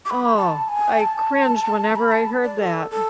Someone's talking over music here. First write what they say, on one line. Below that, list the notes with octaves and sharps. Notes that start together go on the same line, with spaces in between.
Oh, I cringed whenever I heard that.
D6
B5
A5
G#5
A5
B5
A5
D5
A4
A4